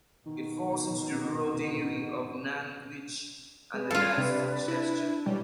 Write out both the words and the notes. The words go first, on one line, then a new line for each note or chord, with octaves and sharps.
It falls into the rural deanery of Nantwich and the diocese of Chester.
B2 D#3
G#3 B4 D5
G3 F4 A4 F5
C3 D4
E4
B2 G3 C#5 D#5